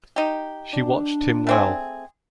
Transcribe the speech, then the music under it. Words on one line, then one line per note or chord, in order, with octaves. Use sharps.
She watched him well.
D#4 G4
D4
A3 C4 G#4